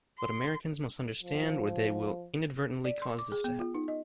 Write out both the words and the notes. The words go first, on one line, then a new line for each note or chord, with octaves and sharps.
But Americans must understand or they will inadvertently cause this to happen.
C6
F3
D5
C6
D6
G#4
B3
F4
D#4
D#5